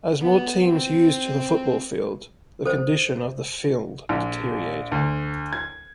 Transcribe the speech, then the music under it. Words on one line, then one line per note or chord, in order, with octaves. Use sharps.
As more teams used the football field, the condition of the field deteriorated.
B3
C4
A4 C5
A#1
D2
G#6